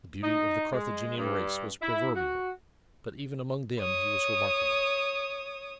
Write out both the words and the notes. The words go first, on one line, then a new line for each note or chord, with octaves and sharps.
The beauty of the Carthaginian race was proverbial, but even among them he was remarkable.
D#4
G#3
G2
E4
F#4
C#5 D#6